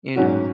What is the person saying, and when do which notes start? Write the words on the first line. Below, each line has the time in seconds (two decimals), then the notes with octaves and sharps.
you know,
0.15 G#2 F#3 C#4 F#4